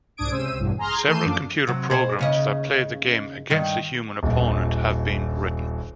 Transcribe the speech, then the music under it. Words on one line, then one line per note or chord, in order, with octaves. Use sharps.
Several computer programs that play the game against a human opponent have been written.
C2 G#2 D4 D#6 G#6 D7
C#2 C3 C#4 C5 E6 D#7
A1 E2 G2 B2
G#4 A#5 C6 F6
E3 A3 G6 C7 D#7 E7
F#2 F3 D4 D6
C3 F#3
B2 G#4 C5
D#2 C#3 D#5
G2 D#3
D#1 A#1